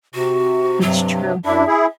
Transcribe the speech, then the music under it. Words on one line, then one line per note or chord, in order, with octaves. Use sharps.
It's true.
C3 F#4
G2 C3 F#3
F#2 D4 E4 E5
E4 G#4